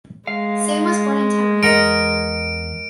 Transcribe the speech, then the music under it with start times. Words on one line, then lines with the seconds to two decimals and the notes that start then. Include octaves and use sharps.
Sam was born in Tehran.
0.27 G#3 F5
1.63 E2 A#4 D#5 F#5 D7